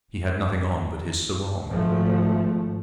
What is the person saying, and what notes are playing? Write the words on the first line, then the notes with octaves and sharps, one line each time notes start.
He had nothing on but his sarong.
G#1 G#2 F3 A3